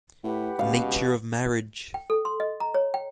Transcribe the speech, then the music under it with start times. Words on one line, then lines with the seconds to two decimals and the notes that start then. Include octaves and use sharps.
Nature of marriage.
0.24 A2 G4 B4 F#5
0.59 C#2 B2 F5
1.94 G5
2.10 A4
2.25 C6
2.40 D#5
2.60 A#5
2.74 C#5
2.94 G5